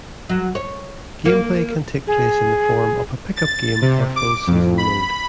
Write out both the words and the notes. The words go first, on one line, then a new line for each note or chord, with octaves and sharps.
Gameplay can take place in the form of a pickup game or full-season mode.
F#3
C#5
A#3
G#4
A6
C3
D6
F2
B5